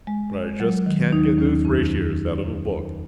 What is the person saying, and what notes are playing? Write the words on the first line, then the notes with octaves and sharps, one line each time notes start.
But I just can't get those ratios out of a book.
G#3
G#3
F#3
D#3
D#2 D#4
D#2 C#4
F2 C#4